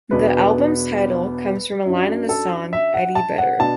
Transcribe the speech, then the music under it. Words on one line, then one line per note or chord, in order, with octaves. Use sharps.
The album's title comes from a line in the song Eddie Vedder.
E2 B2 B3 D4 B4
F#2 F#3 D4
A4
E5
F#5
A5
F#5
B2 B3 D4 A5